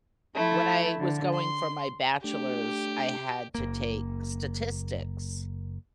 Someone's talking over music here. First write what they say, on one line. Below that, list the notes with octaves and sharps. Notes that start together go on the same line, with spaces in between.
When I was going for my bachelor's, I had to take Statistics.
F3 A3 E4
D3
C6
A3 D4 G4
F#1 A#3